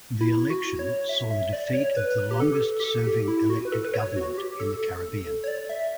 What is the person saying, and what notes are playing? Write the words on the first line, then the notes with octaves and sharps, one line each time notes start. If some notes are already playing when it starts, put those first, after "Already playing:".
The election saw the defeat of the longest-serving elected government in the Caribbean.
E4
F#4
C#5
E5
E5
D5
C#5
B4
G4
A4
G4
A4
G4
E4
F#4
B4
A4
B4
C#5
F#4
G4
A4
C#5
D5
E5